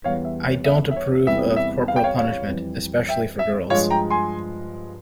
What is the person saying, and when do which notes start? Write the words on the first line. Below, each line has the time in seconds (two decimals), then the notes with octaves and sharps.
I don't approve of corporal punishment, especially for girls.
0.04 E2 E3 G3 C#5 F5
0.25 E5
0.45 C#5
0.65 E5
0.91 E5
0.96 C#5
1.26 E2 C3 E3 G3 E5
1.56 E5
1.88 F5
1.96 G5
2.04 C#5 F5
2.18 C#5 F5
2.48 F2 E3 G3
3.09 E5 G5
3.39 E5
3.70 G2 F3 G#3 C#5 F5
3.91 G5 A#5
4.10 G#5 C6